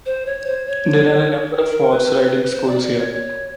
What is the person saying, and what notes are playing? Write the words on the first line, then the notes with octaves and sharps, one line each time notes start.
There are a number of horse riding schools here.
C5
C#5
C5
C#5
A#4
B4
C5
D5
D5
C#5
C#5